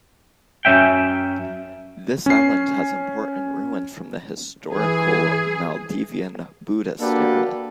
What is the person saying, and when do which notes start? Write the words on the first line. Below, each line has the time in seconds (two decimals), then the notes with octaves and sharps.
This island has important ruins from the historical Maldivian Buddhist era.
0.65 F#2 A#3 C#4 E5 G5
2.26 C#4 C7
4.72 E3 G#4
7.01 A#3 D4 F#4 G4 A4 B4